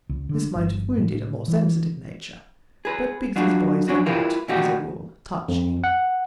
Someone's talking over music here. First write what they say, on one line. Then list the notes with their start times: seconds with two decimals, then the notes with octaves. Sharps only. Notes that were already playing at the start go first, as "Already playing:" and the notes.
This might have wounded a more sensitive nature, but Biggs's boys are not, as a rule, touchy.
0.09 C#2
0.29 D3
0.55 G1
0.97 A2
1.48 E3
2.85 G#4 B4
3.36 F#3 D4 D#4 F4 F#4
3.88 C#4 D4 F#4
4.06 E4 F4 G4 A#4 B4
4.48 A#2 F3 A3 D#4 F#4 G4
5.48 F2
5.84 F#5